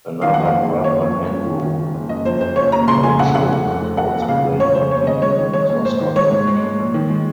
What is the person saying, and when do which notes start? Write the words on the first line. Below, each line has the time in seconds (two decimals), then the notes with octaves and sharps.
Another brother Andrew Wauchope also played rugby union for Scotland.
0.22 D#3 F5
0.34 F2 F#5
0.45 F5
0.53 F#1
0.68 D#3
0.84 F#1 C#5
1.00 F2
1.16 F#1
1.31 F#1
1.46 D#3
1.63 D#3
1.78 F#1
1.94 F#1
2.09 F#1 D#5
2.25 F2 C5
2.41 F#1 C5
2.56 F#1 C#5
2.72 D#2 A#5
2.87 C#3 C6
3.03 F1 G#5
3.19 C#3 F#5
3.35 F1 F#5
3.50 F1
3.66 F1
3.82 F1
3.97 F1 F#5
4.13 D#2
4.22 F#5
4.28 C#3 F5
4.44 F1
4.60 C#3 C#5
4.75 F1 C5
4.91 D#2 C#5
5.07 C#3 D#5
5.22 G#3 C#5
5.38 D#3
5.53 G#3 C#5
5.69 A#1
5.85 G#2 C5
6.01 D#3
6.16 G#3 C#5
6.31 G#2
6.47 G#3
6.63 G#2
6.79 A#1
6.94 D#3
7.09 G#3